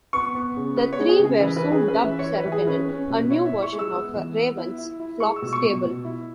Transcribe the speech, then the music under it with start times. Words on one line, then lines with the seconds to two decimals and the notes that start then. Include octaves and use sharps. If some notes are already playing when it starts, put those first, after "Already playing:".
The three were soon dubbed Serotonin, a new version of Raven's Flock stable.
0.13 B3 C#6
0.35 B3
0.57 C#3
0.76 B3 B4
0.93 C#5
0.99 G#3
1.09 G#4
1.19 C#3
1.25 G#4
1.40 E3 B4
1.56 B4
1.62 C#4
1.72 G#4
1.82 C#4
1.88 B4
2.04 E3 E5
2.19 C#5
2.25 E4
2.35 B4
2.46 E3
2.52 G#4
2.67 C#4 B4
2.89 C#4
3.10 B2
3.31 E4 C#5
3.46 E5
3.51 E4
3.62 C#6
3.73 G#3
3.79 E6
3.94 B3
4.16 E3
4.37 B3
4.57 E4
4.78 E4
5.00 E4
5.20 G#3 C#6
5.36 E6
5.42 B2
5.53 C#6
5.63 B2
5.84 B2
6.05 E4